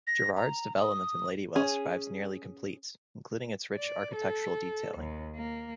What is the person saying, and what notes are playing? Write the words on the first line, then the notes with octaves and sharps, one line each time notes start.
Jerrard's development in Ladywell survives nearly complete, including its rich architectural detailing.
A#6
A#5
D#6
C#4 G#4
D5
A4
D#2
A#3